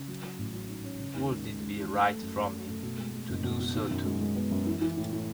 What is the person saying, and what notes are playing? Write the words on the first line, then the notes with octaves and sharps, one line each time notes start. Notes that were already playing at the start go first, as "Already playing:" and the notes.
Would it be right for me to do so too?
Already playing: C#3
F#3
F#3
A1
F#3
G#2
C#4
C#3
D#2
G#3
G#3
G#3
E3
A3
A3
F#2
A3
F#2
A3
B2
G#3
G#3
F#1
B2
B2
D#3
F#2
G#3
G#3
B3
F#2
E3
E3
A2
A2